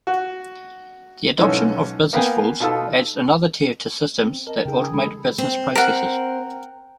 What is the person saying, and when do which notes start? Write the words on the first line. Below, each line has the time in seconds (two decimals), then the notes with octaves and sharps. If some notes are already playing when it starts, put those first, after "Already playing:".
The adoption of business rules adds another tier to systems that automate business processes.
0.07 F#4
1.38 B1 G#2 E3 C#4 A4 E6
2.13 A#3 B3 F5 G5 G#5
2.60 B2 D#4 F4 A4 E6
4.23 C4
4.47 A#4 D#5 A5
4.65 C#3 D#4 G#4 G5
4.94 E3 G#3 G#4 A4 B5
5.38 C4
5.75 A#4 F#5